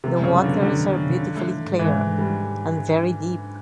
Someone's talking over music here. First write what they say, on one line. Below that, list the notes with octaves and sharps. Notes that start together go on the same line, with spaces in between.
The waters are beautifully clear, and very deep.
C3 B3
F#2
C#3
F#3
D3 B3
F#2 D3
D#3
B3
D#3
D4
A3
E3
G#2
G#2 E3
E3
G#2
G3
E3